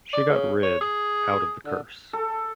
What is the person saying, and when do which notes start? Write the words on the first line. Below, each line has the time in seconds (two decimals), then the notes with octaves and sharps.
She got rid out of the curse.
0.13 D5
0.29 C#3
0.63 C#5
0.81 G#4
1.65 D3
2.13 A4